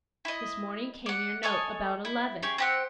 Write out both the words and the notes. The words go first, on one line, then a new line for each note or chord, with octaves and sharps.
This morning came your note, about eleven.
E4 D#5
D5 F#5
A4 C#5 D#5 G#5
E4
C#4 G4 G#4
C4 G4 F#5